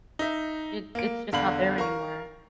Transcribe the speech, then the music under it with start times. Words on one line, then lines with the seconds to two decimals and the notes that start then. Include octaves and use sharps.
It it's just not there anymore.
0.19 D#4 E5
0.95 A#3 D7
1.33 E2 D3 F5 B5 F#7
1.78 A#4 F5 C#6